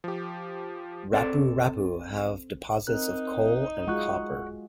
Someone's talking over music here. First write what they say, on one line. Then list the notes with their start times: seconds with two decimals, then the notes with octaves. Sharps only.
Rapu-Rapu have deposits of coal and copper.
0.04 F3 G4
1.13 C4 A4 D5
2.87 C4 D#4 A#4 F#6
3.87 G#3 F4 F#4 F#5 C#6 F#6